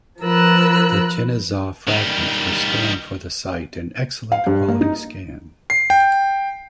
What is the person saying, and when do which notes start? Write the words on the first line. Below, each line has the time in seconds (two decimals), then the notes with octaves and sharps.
The genizah fragments were scanned for the site in excellent quality scan.
0.22 F3 F4 A#4 B4 E6 F#6
1.88 D#3 G3
4.32 F5
4.47 G2
4.68 A#3
4.81 D#4
5.70 C7
5.90 G5